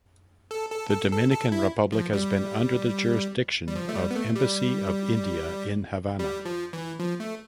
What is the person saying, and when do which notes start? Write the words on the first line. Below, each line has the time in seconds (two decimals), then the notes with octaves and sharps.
The Dominican Republic has been under the jurisdiction of Embassy of India in Havana.
0.51 A4
0.71 A4
0.91 A4
1.12 A4
1.31 A4
1.52 E4
1.92 F3
2.13 G3
3.68 G3
3.75 F3
3.89 A3
3.95 G3
4.10 B3
4.16 A3
4.36 G3
6.19 G3
6.45 F3
6.73 E3
7.00 F3
7.20 A3